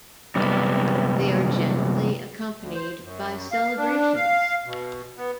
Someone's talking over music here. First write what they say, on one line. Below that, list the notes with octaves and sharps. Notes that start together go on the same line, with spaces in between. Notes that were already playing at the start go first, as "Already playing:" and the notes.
They are generally accompanied by celebrations.
F#2 C3 G3 B3
D2
C5
F#2
F5
D4
F5
B2
B3